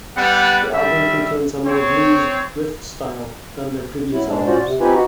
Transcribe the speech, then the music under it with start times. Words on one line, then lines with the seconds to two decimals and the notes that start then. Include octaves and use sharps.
The album contains a more blused riffed style than their previous albums.
0.17 G3 B3 F#5
0.74 G3 E5
1.66 C4 C#5
4.13 F#3 E4
4.28 G#2 G#3 D4
4.47 C#4 F4 F#4 C5 D5
4.64 C3
4.80 C4 D#4 F4 G4 B4 G#5
4.94 D#4 F#4